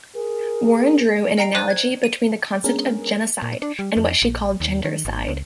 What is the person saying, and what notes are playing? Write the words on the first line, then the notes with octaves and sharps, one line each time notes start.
Warren drew "an analogy between the concept of genocide" and what she called "gendercide".
G#4 A#4
D#5 G5 A#5 C7 D7
C5 D5 F#6 D#7
G#6
D#7
G#3 B3 C#4 D4 G#4 A#4
A#2
D4
G3
F2
A#1
D#2
D#3
G#1
C#2